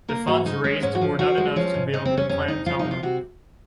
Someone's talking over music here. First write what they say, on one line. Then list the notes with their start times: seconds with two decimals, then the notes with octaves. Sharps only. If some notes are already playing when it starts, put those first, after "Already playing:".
The funds raised were not enough to build the planned tower.
0.08 A#3 A#4
0.27 G#2 F#4
0.46 G#3 D#4
0.64 G#3 C#4
0.82 G#2 C#4
0.95 F#4
1.01 F3
1.19 F3 F#4
1.38 G#3
1.56 F3 C#4
1.74 G#2
1.93 C3 D#4
2.05 C4
2.11 C3
2.18 C#4
2.29 F2 C#4
2.48 F2 D#4
2.66 F3 F4
2.79 D#4
2.84 C3
2.91 F4
3.03 C3 F#4